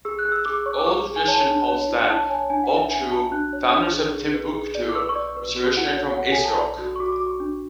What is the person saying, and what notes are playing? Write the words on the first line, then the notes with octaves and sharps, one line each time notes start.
Oral tradition holds that Boctou, foundress of Timbuktu, was originally from Essouk.
G#4 E6
F#6
G#4
E6
G#4 D6
C#5 C#6
D6
G#4 C#6
G#4
G#5
C#5 A5
D4
C#5
E4
E4 A5
C#5 G#5
D4 G#5
F#5
B4
E5
B4 G#5
F#4 A5
D4 F#6
C#5
D4
G#4
G#4
B4
G#4
D5
D6
B4 E6
C#6
D5
C#6
B4
F#4
E4 F#5
C#5
C#5 F#5
G#5
A4
A5
D5
F#4
C#6
F#4 D6
D6
F#4
C#6
D4